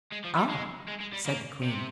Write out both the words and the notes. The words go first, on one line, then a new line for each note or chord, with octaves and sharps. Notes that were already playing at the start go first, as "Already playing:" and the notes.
"Ah!" said the queen.
G#3
F3
G3
G#3
G#3
G#3
G3
A#3
C3